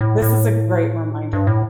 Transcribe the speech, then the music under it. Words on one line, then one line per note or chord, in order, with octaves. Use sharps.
This is a great reminder.
A2
A2
G2
A2